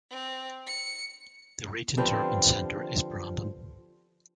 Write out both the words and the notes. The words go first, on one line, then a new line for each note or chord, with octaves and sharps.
The region's urban centre is Brandon.
C4
C#7
D3 F3 B3 C4 G4 B4